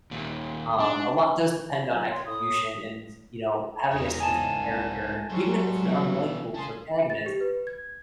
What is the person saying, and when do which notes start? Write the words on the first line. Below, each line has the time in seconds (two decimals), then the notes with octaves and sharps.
Um, a lot does depend on execution, and, you know, having a sense of character, even if it's an unlikeable protagonist.
0.11 D#2 A#2
0.80 D4
1.89 D#3 F#3 C#4 F4 G#5
2.11 C#5 C6
2.26 A2 D#6
3.92 E2 G#2 C#5 D#5 A#5
4.20 G#5 A5
4.59 C2
5.30 G#2 F#3 G3 C5 C#6
5.83 B2 E3
6.54 C#4 G#4 A5 C6
7.10 A6
7.26 G4
7.41 B4
7.67 G#6